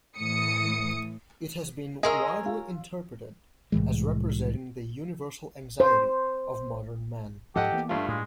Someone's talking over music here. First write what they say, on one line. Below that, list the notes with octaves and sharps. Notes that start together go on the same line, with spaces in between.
It has been widely interpreted as representing the universal anxiety of modern man.
A2 E3 D#6 C#7
G#4 A#4 C#5 D#5 C6 E6
F4
C2 A2 E3 G#3
C5
G#2 F3 G4 A4 D#5 F#5
E3 A#3 B3
G2 A3 F4
A2 G#3